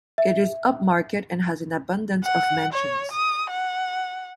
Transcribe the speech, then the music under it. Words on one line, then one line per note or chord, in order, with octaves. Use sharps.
It is upmarket and has an abundance of mansions.
E5
F#5
C#5
D#6
F#5